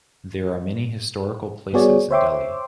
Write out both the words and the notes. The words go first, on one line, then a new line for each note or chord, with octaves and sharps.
There are many historical places in Delhi.
G3 B3 F#4 G#4 C#5 D5
C5 C#5 E5 G5 C6 D6